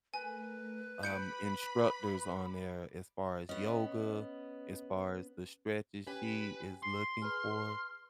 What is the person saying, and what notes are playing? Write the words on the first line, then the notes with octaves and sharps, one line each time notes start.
um, instructors on there as far as yoga, as far as the stretches she is looking for,
A3 A#4 B4 G#5
B5 D6 G6 C#7 D7
B3 C#4 D#5
C#4 G4 B4 G#5
C6 C7
G#4 B4 F6